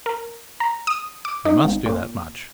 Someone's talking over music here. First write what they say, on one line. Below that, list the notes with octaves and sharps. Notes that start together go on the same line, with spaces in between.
They must do that much.
A#4
A#5
D#6
D6
D#4
G#1
A#2